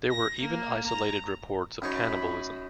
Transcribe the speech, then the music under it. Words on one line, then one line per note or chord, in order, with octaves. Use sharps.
There were even isolated reports of cannibalism.
A#6
A#3
A#5
F#2 D#4 C#5 B5